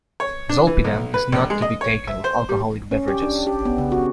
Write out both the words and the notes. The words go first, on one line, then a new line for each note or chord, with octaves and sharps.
Zolpidem is not to be taken with alcoholic beverages.
C#5
D4
E3
B1
B4
A#1
G#3
D#5
C#5
E5
C5
G3
C#4
G4
D4
G4
B3
C#3
F#4